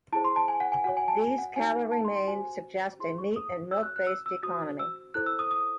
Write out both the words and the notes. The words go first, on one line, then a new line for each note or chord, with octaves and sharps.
These cattle remains suggest a meat- and milk-based economy.
E4 G#4 C5 A5
C6
A5
G#5
F#5
G#5
F#4 C#5 F#5
G#5
A5
G#5
F#5
D#4 F#4 C#5 G#5
A5
C6
C6
F#4 C5 G#5
E4 G#4 C5 C6
C#6
D#6
F#4 C#5 E6
F#6
F#6
E6
E6
F#4 C5 D#6
E6
E4 A4 C5 F#6
E6
D#6
D#6